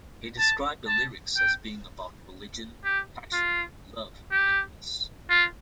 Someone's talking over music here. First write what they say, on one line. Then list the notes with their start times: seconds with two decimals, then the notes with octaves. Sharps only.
He described the lyrics as being about religion, passion, love, and loss.
0.39 A5
0.88 A5
1.37 G5
2.84 G4
3.33 F4
4.31 G4
5.30 F4